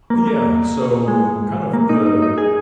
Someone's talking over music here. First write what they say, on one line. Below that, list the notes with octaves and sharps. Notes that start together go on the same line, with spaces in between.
Yeah, so, kind of the
A#3
A#3
G#3
A#3
D#4
D#4
D#4
G#4